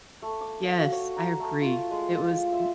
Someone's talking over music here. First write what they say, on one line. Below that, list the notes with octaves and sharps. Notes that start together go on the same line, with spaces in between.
Yes, I agree. It was m
A3
D6
F5
F#4
C#5
A#5
A3
F4
G#3
F4
D#6
E5